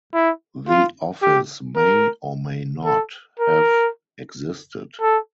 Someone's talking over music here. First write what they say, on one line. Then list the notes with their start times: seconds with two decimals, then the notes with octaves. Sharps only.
The office may or may not have existed.
0.14 E4
0.69 F4
1.23 G4
1.76 A#4
2.85 A4
3.40 A#4
5.02 A4